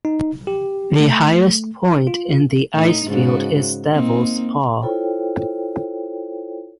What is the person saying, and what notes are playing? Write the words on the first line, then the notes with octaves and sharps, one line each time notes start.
The highest point in the icefield is Devils Paw.
D#4
G4
A3
F4
A2 D#4
G#2 C#3 F#4
A#3 C4 D#4
E4 F4 A4 C5 C#5 G5